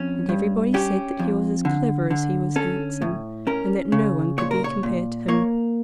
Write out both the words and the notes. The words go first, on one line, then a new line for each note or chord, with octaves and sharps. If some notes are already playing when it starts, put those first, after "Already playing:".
And everybody said that he was as clever as he was handsome, and that no one could be compared to him.
Already playing: F2 C#4
G2
C#4 G4
F2
D3
D3
C#4 A4
A2
C#4 A#4
C#3
A#2 C#5
A#4
C#5
A#2
A#3 C#5